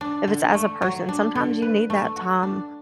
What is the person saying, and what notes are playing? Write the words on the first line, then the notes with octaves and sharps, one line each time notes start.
If it's as a person, sometimes you need that time
D4
D3
A3
F#3
D4
D3
B4
A3
F#4
D4